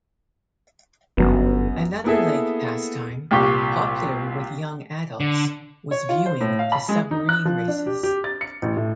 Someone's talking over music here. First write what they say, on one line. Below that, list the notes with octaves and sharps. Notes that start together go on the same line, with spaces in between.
Another Lake pastime popular with young adults was viewing The Submarine Races.
G1 F#2 B3
A#3 B3 E4 G#4 A4 E5
C2 A#2 G4 C#6
D3
C#5
F4
C5
A2
F5
B5
G#3
D#4
F#6
F3
D4
G4
G4
A6
C#7
A1
A2